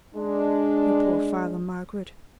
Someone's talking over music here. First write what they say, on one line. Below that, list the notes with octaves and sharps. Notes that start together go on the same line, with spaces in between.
Your poor father, Margaret.
G#3 D4